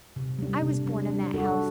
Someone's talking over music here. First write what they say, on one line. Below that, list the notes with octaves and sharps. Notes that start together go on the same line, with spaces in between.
I was born in that house.
C3
G3 D4
C3
G3 D4
G3
D4 F#4 A4